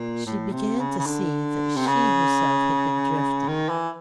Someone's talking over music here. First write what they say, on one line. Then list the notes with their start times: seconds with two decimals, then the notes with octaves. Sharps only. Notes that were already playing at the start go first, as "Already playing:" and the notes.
She began to see that she herself had been drifting.
Already playing: A#2
0.26 A2
0.53 C3
0.80 C#3
0.99 C#3
1.06 D3
1.76 C3
1.87 C#3
3.48 D#3
3.69 E3